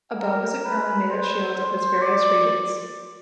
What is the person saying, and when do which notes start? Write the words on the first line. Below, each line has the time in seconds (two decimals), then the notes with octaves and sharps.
Above is a crown made of shields of its various regions.
0.20 A#4
0.65 B4
1.10 C5
2.01 D5